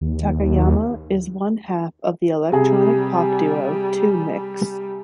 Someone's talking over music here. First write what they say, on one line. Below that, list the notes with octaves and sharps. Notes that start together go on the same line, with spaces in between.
Takayama is one half of the electronic pop duo Two-Mix.
D#2
C3 G3 G#4